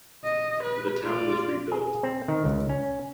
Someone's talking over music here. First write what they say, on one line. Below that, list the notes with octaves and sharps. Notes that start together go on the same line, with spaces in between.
The town was rebuilt.
D#5
B4
F4 D5
G#4
C4
D#3
C#2
C#4